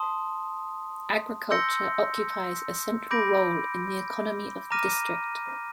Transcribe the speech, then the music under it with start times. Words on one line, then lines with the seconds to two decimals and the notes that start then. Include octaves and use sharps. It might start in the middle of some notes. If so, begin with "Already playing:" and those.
Agriculture occupies a central role in the economy of the district.
Already playing: A5 C6 D#6
1.51 C6 E6 G6 A#6 C#7
3.11 B5 D6 G6 A#6 D7
4.71 A#5 D6 F6 A#6 D#7